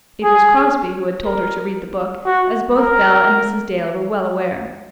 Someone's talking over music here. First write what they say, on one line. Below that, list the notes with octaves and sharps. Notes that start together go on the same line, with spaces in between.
It was Crosbie who had told her to read the book, as both Bell and Mrs. Dale were well aware.
G#4
A#4
F#4
A#4